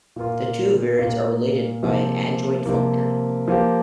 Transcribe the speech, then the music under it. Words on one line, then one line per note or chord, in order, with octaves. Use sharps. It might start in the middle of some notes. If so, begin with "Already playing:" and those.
The two variants are related by an adjoint functor.
A#2 A#3 F4
A#2 A#3 F4
C3 F3 A#3
C3 F3 A#3
F3 A#3 G4